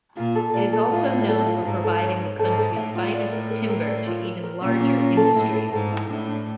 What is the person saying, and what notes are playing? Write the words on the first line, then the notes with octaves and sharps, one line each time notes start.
It is also known for providing the country's finest timber to even larger industries.
A#2 F4
A4
A#2 D5
A4
A2 F4
F4
A4
F4
G#2 F4
A4
C#5
C#5
G#2 A4
A4
A2 E5
F4
D5
A#4
A#4
A#4
D5
F4
A#4
A#4
A#2 C#4
C#4
C#4
A4
A2 E4
A4
G#2 A4
E4
A2 D4
D4